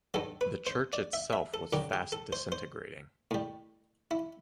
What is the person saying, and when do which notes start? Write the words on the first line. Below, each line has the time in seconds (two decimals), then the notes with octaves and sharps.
The Church itself was fast disintegrating.
0.14 G2 F#3 A4
0.41 B4
0.67 C5
0.93 D5
1.13 E5
1.33 E5
1.54 A4
1.73 F#2 D3 F#3 G4
1.93 G4
2.12 A4
2.33 C5
2.52 C5
3.31 A2 G3
4.11 E4